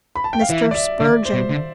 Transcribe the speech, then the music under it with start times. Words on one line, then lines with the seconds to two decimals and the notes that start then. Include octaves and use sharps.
Mr. Spurgeon.
0.16 B5
0.24 A5
0.33 G5
0.41 F5
0.50 E3 E5
0.71 D5
0.75 E5
1.00 D3 D5
1.25 C5
1.33 B2
1.50 D3